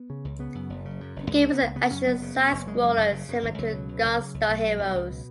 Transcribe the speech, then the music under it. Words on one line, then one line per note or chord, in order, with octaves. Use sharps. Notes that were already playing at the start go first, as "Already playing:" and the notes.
The game is an action side-scroller similar to "Gunstar Heroes".
Already playing: B3
C#3
C#2
C#3 B3
F#2
F#1
C#3
F#2
F#1
C#2 G#3
C#3
B3
C#2
C#3 B3
F#2 C#4
F#1 B3
C#3
F#2
F#1
C#3 G#3
F#2
F#1
C#3
F#2
G#1
C#2 F#3
B2
C#2
C#2
C#3
C#2
B1
B2
B1
C#2
B2